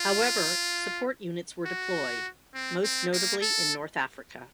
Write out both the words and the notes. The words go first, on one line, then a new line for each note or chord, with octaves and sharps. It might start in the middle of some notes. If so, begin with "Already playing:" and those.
However, support units were deployed, most notably in North Africa.
Already playing: F4
F#4
C4
C4
A#3
A4